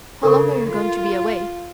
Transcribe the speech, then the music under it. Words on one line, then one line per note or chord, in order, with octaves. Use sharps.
"How long are you going to be away?"
C#3 A4 A#4 C#6
F4